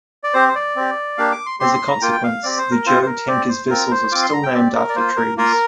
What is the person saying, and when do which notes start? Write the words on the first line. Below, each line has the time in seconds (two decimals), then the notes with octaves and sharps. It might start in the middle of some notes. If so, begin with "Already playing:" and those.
As a consequence the Jo Tankers' vessels are still named after trees.
0.24 D5
0.34 C4 G4 C5
0.48 C5
0.55 D5
0.76 C4 G4
1.18 A#3 D4 G4 F5
1.32 D6
1.46 C6
1.60 C4 G4 C6
1.74 C6
1.88 A#5
2.02 A#3 F4 G5
2.12 G5
2.23 F5
2.43 C4 G4 D5
2.58 C5
2.71 A#4
2.86 C4 F4 C5
3.02 C5
3.06 A#4
3.28 C4 G4 D5
3.48 C5
3.70 C4 F4 A#4
3.91 C5
4.11 C4 F4 D6
4.23 C6
4.33 A#5
4.43 G5
4.54 C4 G4 D5
4.75 A#4
4.89 D5
4.95 A#3 F4 C5
5.16 A#4
5.37 A#3 F4 A#4